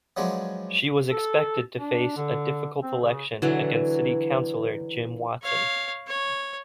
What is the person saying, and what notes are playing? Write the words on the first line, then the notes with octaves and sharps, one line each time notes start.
She was expected to face a difficult election against city councillor Jim Watson.
F3 F#3 G#3 B3 D4
A4
D4
D3
C4
C#3
D3 E3 F#3
C#5 F5
C#5